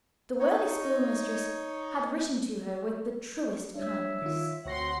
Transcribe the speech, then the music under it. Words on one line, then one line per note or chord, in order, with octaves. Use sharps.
The worthy schoolmistress had written to her with the truest kindness.
D#4 C#5
G3 D4 C#5 E5
D#3 F4
D2 C4 F#4 C#5 F#5 C6 A#6